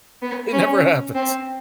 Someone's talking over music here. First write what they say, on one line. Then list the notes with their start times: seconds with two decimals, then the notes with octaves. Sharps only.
it never happens.
0.22 B3
0.53 C#4
1.14 C4